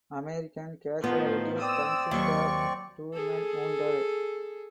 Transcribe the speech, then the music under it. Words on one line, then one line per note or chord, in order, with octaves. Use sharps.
American casualties consisted of two men wounded.
A2 D#3 F3 B3
C4 D5 D#6 E6
D#2 F#3 C#6
G#4 A4